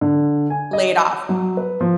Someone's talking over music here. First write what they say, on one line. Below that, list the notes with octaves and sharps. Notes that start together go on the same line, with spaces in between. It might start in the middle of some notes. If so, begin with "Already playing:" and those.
laid off.
D3
G#5
D#5
F#3
B4
F3